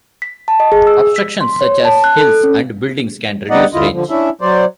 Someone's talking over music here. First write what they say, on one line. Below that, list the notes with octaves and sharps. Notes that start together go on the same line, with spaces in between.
Obstructions such as hills and buildings can reduce range.
B6
A5
D#5
G#4
E6
B6
C6
C#5
A5
F#6
A4
C#4
G3 B3 D#4 D5 D#5 F#5
D#2 D3 E4 F4 D#5
D3 F3
C#4 D4 E4 E5
F#3 C5 D5